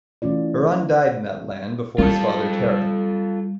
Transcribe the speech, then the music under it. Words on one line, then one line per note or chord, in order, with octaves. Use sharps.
Haran died in that land before his father Terah.
E3 A3 C#4 F4 D5
G3 F4 A4